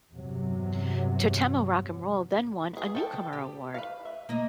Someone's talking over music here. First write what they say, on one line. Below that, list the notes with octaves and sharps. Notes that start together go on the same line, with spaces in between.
Tottemo Rock 'n' Roll then won a newcomer award.
E2 G2 C3 F#3
B3 G#4
A4 G5 A5
G4
B4 F5
E5
A#3 D#5